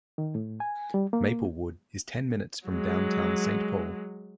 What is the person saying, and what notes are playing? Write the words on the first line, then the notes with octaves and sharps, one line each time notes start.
Maplewood is ten minutes from downtown Saint Paul.
D#3
A2
G#5
G3
A#3
F#3 G#3